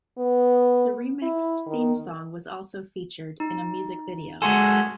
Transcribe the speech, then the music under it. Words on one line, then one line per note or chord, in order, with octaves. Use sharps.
The remixed theme song was also featured in a music video.
B3
E4
D#3
D#4
G#3 F#4 A4 G#5 C6 G#6